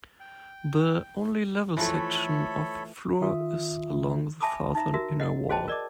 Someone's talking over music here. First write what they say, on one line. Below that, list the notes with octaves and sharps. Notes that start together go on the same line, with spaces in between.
The only level section of floor is along the southern inner wall.
G5
E3 F3 A3 A4 C#5 B5
D#3 F4 E5 D#6
E5 G#5 A5 B5 D6 D#6
D#4 E5 A#5
F#4 A#4 E5
D#5 F#5
F#4 G#4 C5 D#5 G5 A5
A#4 D5 D#5 D6